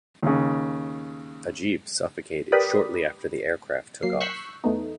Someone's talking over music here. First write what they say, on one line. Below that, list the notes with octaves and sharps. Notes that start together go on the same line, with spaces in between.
Ageeb suffocated shortly after the aircraft took off.
D#2 C#3
G4 A#4 B4 D5 B5 D#6
F#3 A#3 C7
C#6 E6 F#6 G6 B6 C7
E2 A3 B3 D#4